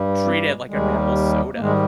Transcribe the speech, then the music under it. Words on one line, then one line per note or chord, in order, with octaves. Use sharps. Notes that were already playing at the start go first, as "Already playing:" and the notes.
treat it like a normal soda.
Already playing: G2 G3
C4
G#3
D#2 D#3 G3 G#3
A#3
G#2 D#3 G3 G#3